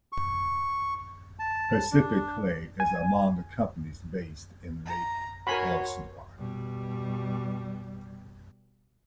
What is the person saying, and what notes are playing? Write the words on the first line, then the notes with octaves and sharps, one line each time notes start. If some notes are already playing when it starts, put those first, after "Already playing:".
Pacific Clay is among the companies based in Lake Elsinore.
C#6
A5
D4
G#5
A#5
F#4 A#4 C#5 G#5 B5 C6
B2 G3